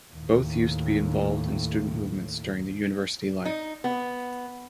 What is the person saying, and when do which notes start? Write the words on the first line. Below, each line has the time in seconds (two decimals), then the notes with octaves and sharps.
Both used to be involved in student movements during the university life.
0.14 D#2 A2
3.45 D#4
3.84 B3